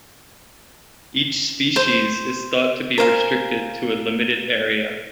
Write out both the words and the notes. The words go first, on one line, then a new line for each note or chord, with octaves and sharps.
Each species is thought to be restricted to a limited area.
C5
A#4 C5 F5 G#5